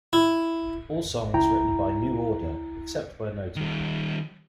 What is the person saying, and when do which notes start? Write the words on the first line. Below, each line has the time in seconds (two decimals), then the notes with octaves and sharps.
All songs written by New Order, except where noted.
0.13 E4
1.34 C#2 E4 G5 A#5
3.56 D#3 G3